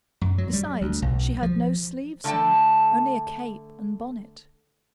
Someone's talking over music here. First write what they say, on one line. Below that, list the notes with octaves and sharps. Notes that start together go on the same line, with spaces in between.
Besides, she had no sleeves on,--only a cape and bonnet.
F#2
F#3
G3
D2
B1
F3
D3 A3 A4 D#5 G5 A5